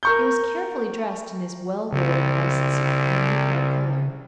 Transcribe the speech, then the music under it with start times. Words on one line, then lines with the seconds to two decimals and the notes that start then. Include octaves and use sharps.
He was carefully dressed in his well-worn best suit and a neat white collar.
0.03 A#4 C#6 G6
1.92 C2 C#3